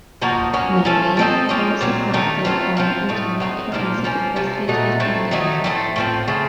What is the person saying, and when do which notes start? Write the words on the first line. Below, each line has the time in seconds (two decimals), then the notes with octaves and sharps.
Many games also have their own internal currency to facilitate in-game trade.
0.22 F3 A#3 D#4 F#4
0.53 F#3 A#3 C#4 F#4
0.85 F3 A3 C#4 A4
1.17 F3 C4 D#4 A4
1.49 F3 A#3 C#4 F4
1.81 A#2 F#3 C4
2.13 D#3 A3 D#4
2.45 F#3 A3 C4 F4
2.77 F3 C4 F4
3.09 A2 A3 D#4
3.40 F#3 C4 D#4
3.72 A#2 F3 A#3 F4
4.04 F3 A#3 C#4
4.36 C3 F3 A3
4.68 A#2 A3 D#4 F#4
5.00 A2 F3 A3 C4
5.31 D#3 F#3 A3 D#4
5.64 A2 A3 C4
5.96 A2 F3 C4
6.28 C#3 A3 C4